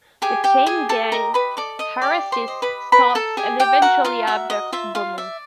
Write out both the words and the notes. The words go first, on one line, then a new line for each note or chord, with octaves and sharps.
The Chain Gang harasses, stalks, and eventually abducts Beaumont.
G4 G#4 G#5
G4 G5
G4 G#4 G#5
A4 A5
A#4 D#5 A#5
B4 B5
A4 D5 D6
D#5 D#6
G4 D5 D6
C5 C6
D#5
B4 B5
A#4 B4 B5
A4 A5
G4 G#4 G#5
G4 G5
F#4 A#4 F#5
F4 F5
F#4 E5
D#5
F4 E5
F4 F5
D5 E5